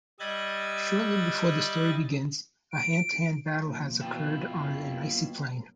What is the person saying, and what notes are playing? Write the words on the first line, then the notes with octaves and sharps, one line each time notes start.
Shortly before the story begins, a hand-to-hand battle has occurred on an icy plain.
G3 D#5 E5 F#6 G#6 A6
D7
C3 F3 A#3
B2 E3 F3 E4 F4 G5
F#2 A#3